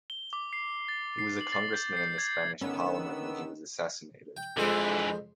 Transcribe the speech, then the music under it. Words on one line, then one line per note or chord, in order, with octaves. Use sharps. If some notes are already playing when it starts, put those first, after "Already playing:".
He was a congressman in the Spanish Parliament when he was assassinated.
G7
D6
C7
A6
C7
F#7
A6
G6
C7
G#6
D3 D#3 B3 C#4 E6
G5
F2 D3 E3 G#3 C5